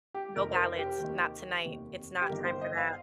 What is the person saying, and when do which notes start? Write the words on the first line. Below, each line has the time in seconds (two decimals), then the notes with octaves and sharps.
No ballads, not tonight. It's not time for that.
0.14 G4
0.36 F1 F2 D#3 A#4
0.52 C5
0.57 A#4
0.79 G4
1.00 D#2 D#3
1.65 F1 D#2 D#3
2.22 G4
2.29 G1 G2 D#3 A#4
2.45 C5
2.61 D#5
2.77 F5